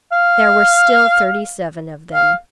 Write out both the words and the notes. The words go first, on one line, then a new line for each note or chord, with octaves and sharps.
There were still thirty-seven of them.
F5
F5